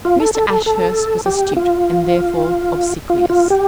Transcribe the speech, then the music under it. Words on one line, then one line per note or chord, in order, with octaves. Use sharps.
Mr. Ashurst was astute, and therefore obsequious.
F4
A4
A4
A4
A4
G4
F4
F4
F4
G4